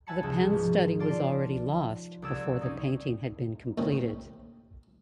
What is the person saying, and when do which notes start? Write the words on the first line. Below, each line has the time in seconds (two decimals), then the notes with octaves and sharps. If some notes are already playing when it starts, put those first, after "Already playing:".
The pen study was already lost before the painting had been completed.
0.07 E5 F#5 G#5 A5 B5 C#7
0.23 C#2 C3 F3
0.50 G#2 B2 F3
0.99 F4 D5 A5 C6
2.22 C2 D5 E6 G#6
2.61 C4 C#4 D#4
3.78 A#1 D#2 A2 C3